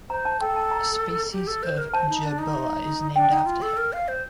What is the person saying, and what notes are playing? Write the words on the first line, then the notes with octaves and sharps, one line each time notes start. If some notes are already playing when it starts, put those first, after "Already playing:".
A species of jerboa is named after him.
C5 A#5
A5
A4 G5
A5
A#5
G4
A4
C5
A#4
C5 A5
D#4
D4
D#4
D4 G5
D#4
F4
A4
A#4
F5
C5